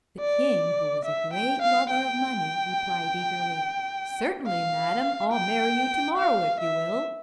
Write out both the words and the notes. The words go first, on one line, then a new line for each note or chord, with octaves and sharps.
The king, who was a great lover of money, replied eagerly, "Certainly, madam, I'll marry you to-morrow if you will."
D5
E5
G5
F5
G5
F5
G5
F5
E5